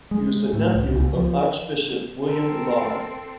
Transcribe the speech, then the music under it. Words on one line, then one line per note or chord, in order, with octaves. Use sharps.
He was the nephew of Archbishop William Laud.
G#3
A2
C2
C#2
F3
C4 A4 A#4